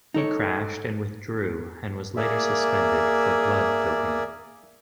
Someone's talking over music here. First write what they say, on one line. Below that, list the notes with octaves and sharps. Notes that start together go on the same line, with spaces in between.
He crashed and withdrew and was later suspended for blood doping.
D#4 A4 C#5
A#3 G#4 D5 E5